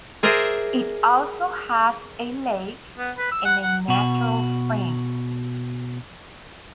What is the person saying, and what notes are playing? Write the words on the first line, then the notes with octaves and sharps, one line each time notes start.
It also has a lake and a natural spring.
G#4 A#4 C5 D5 E5 G#5
B3
B4
E6
F#5
F#5
B2 F#4